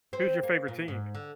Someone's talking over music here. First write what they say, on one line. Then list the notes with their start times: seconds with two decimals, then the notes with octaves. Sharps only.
Who's your favorite team?
0.13 C4
0.43 A#3
0.68 A#2
0.88 G#2
1.15 D3